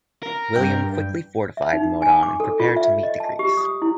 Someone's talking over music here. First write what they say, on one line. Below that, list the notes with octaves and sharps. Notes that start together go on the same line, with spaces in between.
William quickly fortified Modon and prepared to meet the Greeks.
A#4
G2 G5
E5
D#4
G#5
D6
A4
F4
E5
D#5
A5
G4
D#6
E4